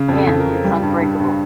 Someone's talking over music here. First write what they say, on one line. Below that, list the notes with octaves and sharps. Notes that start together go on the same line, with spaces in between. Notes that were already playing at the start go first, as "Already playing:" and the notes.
And it's unbreakable.
Already playing: C#3
F2
A4
F2
A#4
C#3
G3
G2
G2
G2